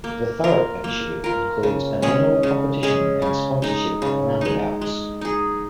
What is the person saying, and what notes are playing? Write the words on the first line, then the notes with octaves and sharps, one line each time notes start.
The Thurrock initiative includes an annual competition and sponsorship of roundabouts.
A#3
F4 A#4
A#3
F4 A#4
C#3
G#3 C#4 G#4
C#3
G#3 C#4 G#4
C#3
G#3 D#4
C#3
G#3 D#4
G#3
D#4 G#4